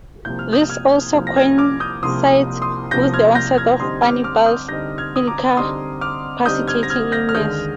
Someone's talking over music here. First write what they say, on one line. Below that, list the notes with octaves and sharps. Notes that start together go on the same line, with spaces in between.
This also coincides with the onset of Annibale's incapacitating illness.
C2 C3 F3 A#3 G6
F6
D#6 G6
F6 G#6
C2 C3 F3 A#3
A#6
F6 G#6
D6 F6
D#6 G6
C2 C3 F3 A#3 C6 D#6
C6 D#6
C2 C3 F3 A#3 G6 A#6
F6 G#6
G6 A#6
F6 G#6
D3 G3 C4 D#4 C6 D#6
D6 F6
D6 F6
D#6 G6
D3 G3 C4 D#4 G6 A#6
F6 G#6
D#6
A#5 D6
D3 G3 C4 D#4 C6 D#6
D6 F6
D3 G3 C4 D#4 D#6 G6
F6 G#6
A#6
F6 G#6
G6 A#6
F6
D#2 D3 G#3 D#6 G6